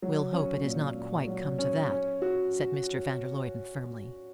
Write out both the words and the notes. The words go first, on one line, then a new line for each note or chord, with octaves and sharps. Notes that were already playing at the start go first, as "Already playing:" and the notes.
"We'll hope it has not quite come to that," said Mr. van der Luyden firmly.
F#3
C#4
A#2
A#2
F#3
C#4
C#4
F#4